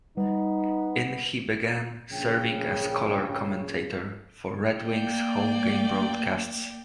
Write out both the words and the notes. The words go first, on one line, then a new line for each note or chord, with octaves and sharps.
In he began serving as color commentator for Red Wings home-game broadcasts.
G3 B3 D#4
A#1 C#3 G5
A#3 D5 G5